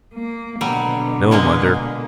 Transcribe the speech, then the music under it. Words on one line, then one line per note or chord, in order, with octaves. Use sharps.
No, mother!
A#3
B2 D3 F#3 G3
A#2 G#3 A#3